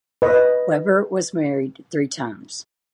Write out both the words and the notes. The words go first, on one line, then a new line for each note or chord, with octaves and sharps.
Weber was married three times.
B4 D#5